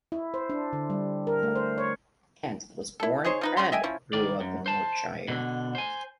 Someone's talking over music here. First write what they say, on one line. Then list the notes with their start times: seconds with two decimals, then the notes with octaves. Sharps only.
Kent was born and grew up in Yorkshire.
0.12 E4
0.34 C5
0.50 D4
0.73 D3
0.90 G3
1.27 A#4
1.43 A3
1.55 C5
1.78 C#5
3.00 E4 A4
3.25 D#4 G#4 C5 C#5
3.41 F3 D#4 B4
3.57 C#3 C#4 C6
3.72 D#5 E5 G5 G#5
3.84 F3 C#4 E4
4.13 D#3 D5
4.40 F#2
4.66 C5 A5
5.28 B2 D3
5.75 C5 G#5